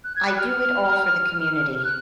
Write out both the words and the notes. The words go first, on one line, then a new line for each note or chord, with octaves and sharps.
I do it all for the community.
F#6
G#6
F#6
F6
F6
F6
F#6